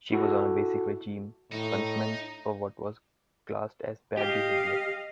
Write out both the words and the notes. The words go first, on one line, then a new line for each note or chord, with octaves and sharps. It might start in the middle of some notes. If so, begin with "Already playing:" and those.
She was on a basic regime, punishment for what was classed as bad behaviour.
E4 F#4 A4
A2 D#4
G4 D#5 F5